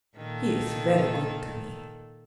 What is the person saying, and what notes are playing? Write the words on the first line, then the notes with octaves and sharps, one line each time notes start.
He is very good to me.
A#2 D#3 A4